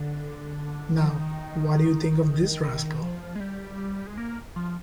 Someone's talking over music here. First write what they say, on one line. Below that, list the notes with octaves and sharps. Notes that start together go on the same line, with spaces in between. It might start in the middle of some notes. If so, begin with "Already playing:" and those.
Now, what do you think of this rascal?
Already playing: D3
F3
D#3
D#3
F3
G#3
G3
G#3
A#3
F3